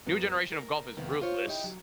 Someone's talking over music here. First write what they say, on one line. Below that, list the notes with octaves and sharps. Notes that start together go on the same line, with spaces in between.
New generation of golf is ruthless.
F#2 F#3 B3
A#4
F2 C3 D#3 A#3 B3
F4 C5 C#5
D#4 E4 G4
F#3